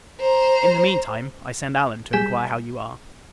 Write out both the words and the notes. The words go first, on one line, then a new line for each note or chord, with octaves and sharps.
In the mean time, I send Allen to inquire how you are.
C5 A#5
G3 G#4 G#5 G6 B6 E7